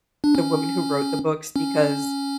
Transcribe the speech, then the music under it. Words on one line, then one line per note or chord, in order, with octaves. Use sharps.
the woman who wrote the books, because
D4
C#4
C#4